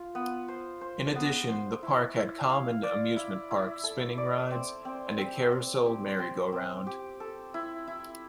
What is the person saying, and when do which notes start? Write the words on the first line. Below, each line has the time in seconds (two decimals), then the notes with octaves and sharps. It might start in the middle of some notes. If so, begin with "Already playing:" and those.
In addition, the park had common amusement park spinning rides and a carousel merry-go-round.
Already playing: F4
0.15 B3
0.48 C5
0.81 C5
1.15 B3
1.49 C5
1.83 E4
2.16 E4
2.50 F5
2.83 D5
3.16 E4
3.51 E4
3.84 A4
4.18 D5
4.51 C4
4.85 C4
5.18 C4
5.52 C4
5.85 G4
6.19 C4
6.52 C4
6.87 G4
7.20 A4
7.54 E4
7.87 E4